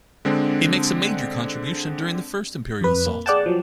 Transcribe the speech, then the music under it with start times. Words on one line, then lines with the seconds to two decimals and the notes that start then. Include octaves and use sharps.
He makes a major contribution during the first imperial assault.
0.25 D3 G#3 C4 D4
2.81 F2 B4
3.06 A#3
3.26 G#4 D5 F#5 G5 A5
3.46 F3 F#3